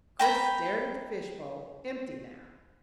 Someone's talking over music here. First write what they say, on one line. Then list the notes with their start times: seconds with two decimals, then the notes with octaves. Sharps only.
Chris stared at the fishbowl, empty now.
0.19 G5 A#5 B5